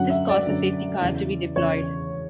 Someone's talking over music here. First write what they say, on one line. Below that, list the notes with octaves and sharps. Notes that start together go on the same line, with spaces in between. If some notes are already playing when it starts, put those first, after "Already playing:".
This caused the safety car to be deployed.
Already playing: F#2 D3 F#3 F#5
E5
D5
F#2 D3 F#3
E2 C#3 E3
E2 C#3 E3 C#5